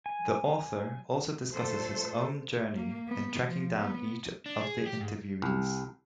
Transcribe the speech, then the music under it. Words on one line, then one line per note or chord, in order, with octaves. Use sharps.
The author also discusses his own journey in tracking down each of the interviewees.
G#5
A#2 A3 A4 C5
A#3
B3
F3
B3
D4
G#4
G4
G#2
C2